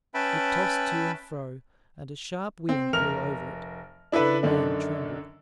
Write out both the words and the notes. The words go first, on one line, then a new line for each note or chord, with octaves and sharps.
It tossed to and fro, and a sharp wind blew over it, and the man trembled.
C#4 B4 E5 G5 A5 B5
C4
F1 A#4 F6 F7
D4 E4 A4 B4
F#2 D3 D#3 D4